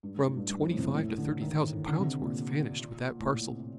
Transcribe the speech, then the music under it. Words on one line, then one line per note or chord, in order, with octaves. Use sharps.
"From twenty-five to thirty thousand pounds' worth vanished with that parcel."
G2
G2
A2
G2
G2
F2
A2
C3
A#2
A2
D3
D#3
D3
C3
A#2
A2
A#2
C3